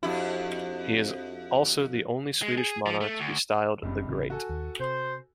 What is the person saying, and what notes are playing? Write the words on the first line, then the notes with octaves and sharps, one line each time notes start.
He is also the only Swedish monarch to be styled "the Great".
F2 D4 E4 F#4 G4
G#3
G#4
F3
A3
D2
F#1 C#2 G2 C3
A1 C#3
F#4 A4 G#5
D#2
C3 C5